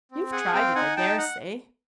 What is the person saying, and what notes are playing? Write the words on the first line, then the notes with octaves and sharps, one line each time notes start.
You've tried it, I dare say.'
C4
G#4 F#5 G#5
C4 F5 G5
D#4 F#5 G#5
D#4 G5 A5
F#5